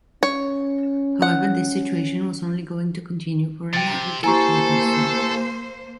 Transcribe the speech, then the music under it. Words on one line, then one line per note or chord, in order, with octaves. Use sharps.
However, this situation was only going to continue for another decade or so.
C#4 C#5
F#5
C3 G5 A6
A#3 E4 G4 A4 C5 G#5 A#5 C#6